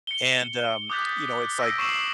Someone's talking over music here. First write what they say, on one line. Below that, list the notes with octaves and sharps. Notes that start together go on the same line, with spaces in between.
And, um, you know, it's, like,
C#7 G7
D6 D#6 F#6 G6 A6 B6
E6 A#6 D7
C#6 E6 C7 E7 F#7